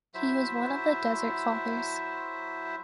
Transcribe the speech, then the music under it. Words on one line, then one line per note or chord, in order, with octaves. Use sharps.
He was one of the Desert Fathers.
F#3 E4 C5 E5